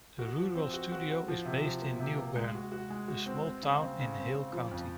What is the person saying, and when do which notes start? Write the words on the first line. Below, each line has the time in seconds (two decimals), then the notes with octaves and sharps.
The Rural Studio is based in Newbern, a small town in Hale County.
0.19 F#4
0.38 F3
0.55 C4
0.74 F#4
0.92 F#4
1.10 F#4
1.28 F3
1.45 C3
1.63 F3
1.82 A#3
2.00 C3
2.18 A#3
2.36 G#3
2.55 F#4
2.72 F#4
2.90 G#3
3.08 F#4
3.26 C4
3.45 C4
3.63 C#3
3.80 C4
4.00 C#3
4.18 C4
4.35 C#3
4.53 F3
4.71 F2